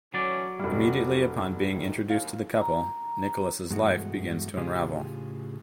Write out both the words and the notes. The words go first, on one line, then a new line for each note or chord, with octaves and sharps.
Immediately upon being introduced to the couple, Nicholas' life begins to unravel.
E3 F#3 A3 C#4 D5
F1 G3 F#4
D#3 A3
D#2 F5
A#5
G2 B2 E3 G#3 A3 F#4
A2 C#3 F4 G4 G#4